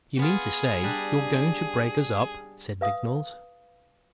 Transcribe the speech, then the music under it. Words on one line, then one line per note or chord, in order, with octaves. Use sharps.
"You mean to say you're going to break us up," said Vignolles.
B3 F4 G#4
G3 D4
B4 F5 D#6